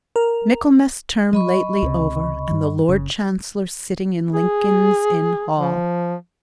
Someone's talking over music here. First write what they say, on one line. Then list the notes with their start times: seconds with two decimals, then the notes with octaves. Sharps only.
Michaelmas term lately over, and the Lord Chancellor sitting in Lincoln's Inn Hall.
0.16 A#4
1.33 F#3 D#5 B5 C#6
1.83 C#2 C3
2.51 G2
2.89 F#1 C#3
4.34 G#4
5.56 F3